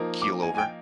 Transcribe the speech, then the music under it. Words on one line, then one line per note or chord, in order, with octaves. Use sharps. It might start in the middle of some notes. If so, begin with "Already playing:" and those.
keel over?
Already playing: F3 A#3 D#4
D6
G#5
G#5
G5